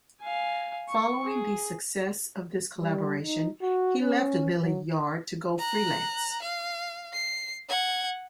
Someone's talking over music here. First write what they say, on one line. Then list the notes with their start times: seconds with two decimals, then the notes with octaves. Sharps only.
Following the success of this collaboration, he left Lillie Yard to go freelance.
0.21 F5 G#5
0.89 C#6
1.24 G#4
2.79 G3
3.23 D#4
3.62 F#4
4.01 C#4
4.61 F#3
5.59 A#5 F#6
6.42 F5
7.13 C7
7.69 F#5 G#6